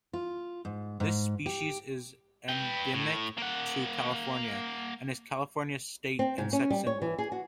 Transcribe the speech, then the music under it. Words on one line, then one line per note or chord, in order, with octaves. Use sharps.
This species is endemic to California, and is California's state insect symbol.
F4
G#2
G#2
G4
B4 G5
A2
A#3 F#5
C4
G#2
C#4
G3
C#5
E3
G#4
F#4